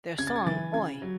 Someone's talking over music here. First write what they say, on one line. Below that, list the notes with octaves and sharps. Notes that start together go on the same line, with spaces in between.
Their song Oi!
C#3 G#6
A6
G#6
E3 A6
C#3 G#6
F#3